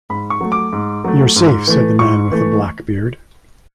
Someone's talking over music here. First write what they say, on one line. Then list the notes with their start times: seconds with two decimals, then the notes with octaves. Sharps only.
"You're safe," said the man with the black beard.
0.10 G#2 B5
0.30 C#6
0.41 F#3 A3
0.52 D6
0.73 G#2
1.04 F#3 A3
1.36 G#2
1.67 E3 A3
1.99 G#2 C#6
2.31 E3 A3